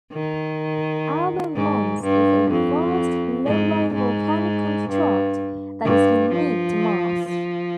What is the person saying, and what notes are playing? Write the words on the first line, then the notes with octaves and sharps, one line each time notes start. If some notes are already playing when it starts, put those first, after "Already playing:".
Alba Mons is a vast, low-lying volcanic construct that is unique to Mars.
D#3
G#2
G2
F2
G#2
G#2
G2
G2
F3
F3